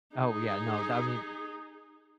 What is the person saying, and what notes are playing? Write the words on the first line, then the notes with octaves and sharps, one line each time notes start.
Oh, yeah, no, that mean
D#4 G#4